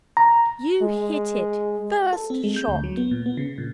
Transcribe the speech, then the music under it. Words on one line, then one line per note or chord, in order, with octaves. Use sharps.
You hit it first shot.
A#5
G#3
A4
C4
G#3
G6
D2
F#3
B3
A#2
B3
C#3
A#2